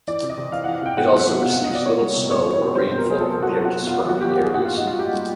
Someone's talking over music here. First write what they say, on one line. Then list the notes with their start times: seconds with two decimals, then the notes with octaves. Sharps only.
It also receives little snow or rainfall compared to surrounding areas.
0.07 E3 D5
0.23 C3
0.30 D#5
0.37 C3
0.52 E3 F5
0.64 E3 F#5
0.82 C3 G5
0.97 B2 F#5
1.12 F#3
1.19 E5
1.26 F#3
1.41 B2 F5
1.52 B2 F#5
1.64 D#5
1.71 B2 D5
1.86 C3 C#5
2.01 G3
2.17 C3
2.31 C3 C#5
2.46 E3
2.53 C#5
2.61 C3
2.75 F#3 C5
2.90 B2
2.98 A#4
3.05 F#3 G#4
3.20 F#3 A4
3.35 B2
3.42 F#4
3.49 F#3
3.64 F#3 F#4
3.80 B2
3.87 F4
3.95 F#3
4.09 F#3 F#4
4.21 G4
4.24 F#3
4.32 G4
4.39 F#3 G#4
4.54 A#2 F#4
4.65 A#2 F4
4.76 D#4
4.84 G3 F4
4.99 G3 G4
5.13 G3